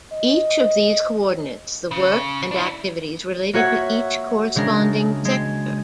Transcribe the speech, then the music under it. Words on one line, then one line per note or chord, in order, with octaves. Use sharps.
Each of these coordinates the work and the activities related to each corresponding sector.
D#5
C#3
D4 E4
A#3 F#4 C#5 E5 F#5
C#3 G#3 D4 A#4
G#3